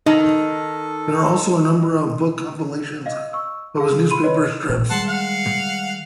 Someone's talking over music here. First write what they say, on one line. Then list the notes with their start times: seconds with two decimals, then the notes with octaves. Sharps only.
There are also a number of book compilations of his newspapers' strips.
0.06 D#3 D#4 A4 D#5
3.06 D#5 F5
3.33 C#6 E6
3.78 G#4 F5
4.10 B5 C6 D#7
4.23 B4 C#5 D#5
4.69 A1 A#2
4.90 D#3 G3 G#3 F#5 A5 C6
5.08 F5 F#5